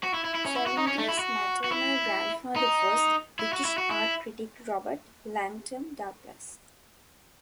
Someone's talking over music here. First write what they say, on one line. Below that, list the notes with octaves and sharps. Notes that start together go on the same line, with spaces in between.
Salinger's maternal grandfather was British art critic Robert Langton Douglas.
F#4
E4
E4
E4
C#4
E4
F#4
D#4
C#4
A3
E4
F#4
F#4
E4
D#4
E4
F#4
E4
F#4
E4